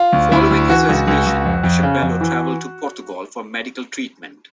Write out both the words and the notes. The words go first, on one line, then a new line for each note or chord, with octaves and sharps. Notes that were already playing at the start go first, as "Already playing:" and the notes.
Following his resignation Bishop Belo travelled to Portugal for medical treatment.
Already playing: F4
D2
D2 E4
D2
E3 F#4
C#2
C#2
C#2
F2
F2
C#3
F2
E3